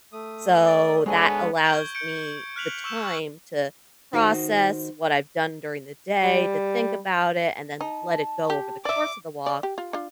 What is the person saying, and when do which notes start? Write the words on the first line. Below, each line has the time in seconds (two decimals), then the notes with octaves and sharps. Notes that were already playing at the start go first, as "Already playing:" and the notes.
so that allows me the time to process what I've done during the day, to think about it, and then let it go over the course of the walk
0.13 A3 D#6
0.63 D5
1.06 G#3 B3 D4 G#4 A4 C#5 D#5 G#5
1.65 C#6 G6 G#6 D7 F#7 G7
1.95 G6 C#7 D7
2.13 G6
2.56 F6 F#6 B6 F7 F#7
2.84 C#6 E6 G6 E7
3.04 C#6 F#6 F#7
4.13 D#3 D#4 F#4 C5
6.24 G3
7.81 D#4 A5
8.50 G4
8.85 D5 E5 D6
9.46 D5
9.63 G4
9.78 F4
9.93 D4 F4